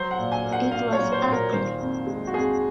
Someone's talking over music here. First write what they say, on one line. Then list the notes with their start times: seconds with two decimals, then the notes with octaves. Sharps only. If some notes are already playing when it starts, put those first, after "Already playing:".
It was ugly.
Already playing: F#3 C5
0.11 F#5
0.18 A#2
0.32 G#5
0.45 A#3
0.52 F#5
0.71 A#2 F5
0.93 C#5
0.99 F#3
1.12 C5
1.26 A#2
1.32 A#4
1.53 D#3 C5
1.80 F2
2.07 G#3
2.27 F#4
2.34 F2 G#4